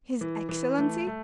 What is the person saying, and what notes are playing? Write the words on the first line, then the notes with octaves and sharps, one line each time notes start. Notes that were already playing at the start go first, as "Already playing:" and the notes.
'His excellency!
E3
E3
A3
A3